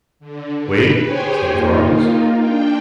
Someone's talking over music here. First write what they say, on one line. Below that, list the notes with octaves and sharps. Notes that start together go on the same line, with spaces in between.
"Wait," said Quarles.
D3
B4
G4 G#4 C5 C#5 G5 G#5
A#3 D#4 F4
D4 G5